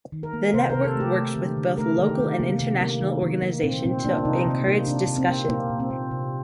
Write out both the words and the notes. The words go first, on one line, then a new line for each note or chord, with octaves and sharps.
The network works with both local and international organization to encourage discussion.
D#3
A#4
A#3
C3 C5
A#4
C3
A4
A3 G4
A3
D3
D3
A3 A#4
D#3
G4
D#3
C3 A#3
C3
A#3
D#3
D#3
A#3
A#2 C4
A#2 C4
A#3 D4
D4
C3 D#4
C3
A#3
C3 D4
C3
C4
A#3
A#2 A#3
A#2
C4
A#3
C3